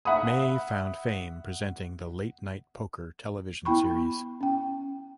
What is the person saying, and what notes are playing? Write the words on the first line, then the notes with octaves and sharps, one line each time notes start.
May found fame presenting the Late Night Poker television series.
E5 F#5 B5 D#6
B3 E4 G5 B5 C#6
C#4 G5